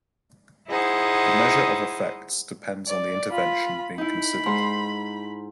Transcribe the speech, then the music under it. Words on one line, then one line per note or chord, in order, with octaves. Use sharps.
The measure of effects depends on the intervention being considered.
D#4 E4 G#4 C5 F#5
D5
F4 B5
D#4 E4 B5
G#2 A#5 C6